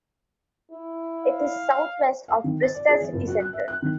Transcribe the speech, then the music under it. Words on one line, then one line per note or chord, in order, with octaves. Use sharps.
It is southwest of Bristol city centre.
E4
F5
F5
D#3
A6
D5
G#4
E3
F#1
F#4
F#6
E5
F#6
D#3